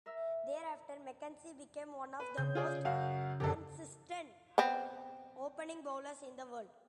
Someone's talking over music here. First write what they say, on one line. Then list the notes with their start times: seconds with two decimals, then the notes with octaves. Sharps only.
Thereafter McKenzie became one of the most consistent opening bowlers in the world.
0.06 A#4 E5 E6
2.20 B4
2.37 C#3 G6
2.55 F4 G#4 D5
2.85 F#2 F#4 F5
3.40 A#1 F#2 D3 G4 A4
4.58 B3 C4